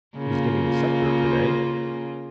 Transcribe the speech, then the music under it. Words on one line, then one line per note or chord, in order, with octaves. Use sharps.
He's giving Sceptre today.
C#3 A#3 F4